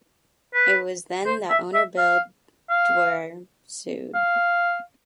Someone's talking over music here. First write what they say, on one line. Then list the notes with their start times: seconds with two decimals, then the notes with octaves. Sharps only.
It was then that owner Bill Dwyer sued.
0.54 B4
1.26 C5
1.50 E5
1.74 E5
1.98 F5
2.70 F5
4.14 F5